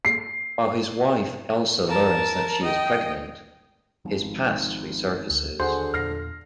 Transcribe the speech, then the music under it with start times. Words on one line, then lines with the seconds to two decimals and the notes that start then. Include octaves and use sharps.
While his wife Elsa learns that she is pregnant, his past resurfaces.
0.05 C7
1.88 A#4 A5
2.63 D#5 G5
4.05 G#1 F3 G#3
5.30 D2
5.60 D#2 D3 F#4 G#4 C5 F#5
5.94 E2 A#2 F6 A#6 C7